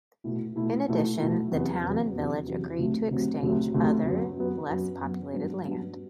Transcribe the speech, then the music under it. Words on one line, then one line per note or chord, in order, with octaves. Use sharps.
In addition, the town and village agreed to exchange other less populated land.
B2 A3 E4
B2 A3 E4
B2 A3 E4
B2 A3 E4
E2 C3 F#3 B3
E2 C3 F#3 B3
E2 C3 F#3 B3
E2 C3 F#3 B3
D2 C3 F#3 A3 C4
D2 C3 F#3 A3 C4
D2 C3 F#3 A3 C4
D2 C3 F#3 A3 C4
F#2 F#3 B3
F#2 F#3 B3
F#2 F#3 B3
F#2 F#3 B3
G2 F#3 B3 D4
G2 F#3 B3 D4